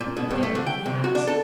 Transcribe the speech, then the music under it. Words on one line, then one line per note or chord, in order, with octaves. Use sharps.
Who could blame him if he has?
A#2
B2
G2
A3
D3
G5
C3
F#4
D4
A4